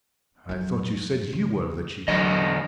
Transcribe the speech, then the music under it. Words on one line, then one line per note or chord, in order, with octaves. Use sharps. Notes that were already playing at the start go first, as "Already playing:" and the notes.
"I thought you said you were the chief?"
F2 F#3
C#3
E2 D3 F#3 D#5